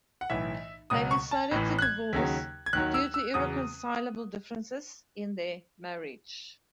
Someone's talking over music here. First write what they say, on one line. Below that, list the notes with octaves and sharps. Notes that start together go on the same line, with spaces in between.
They decided to divorce due to irreconcilable differences in their marriage.
F#5
B1 A2 E3 E5
C#2 B2 F#3 D#6
C#6
A5
A1 A2 E3
F#6
G#6
D#2 C#3 F#3
G#6
D#2 D#3 F#3 F#6
E6
E6
E2 C#3 F#3 D#6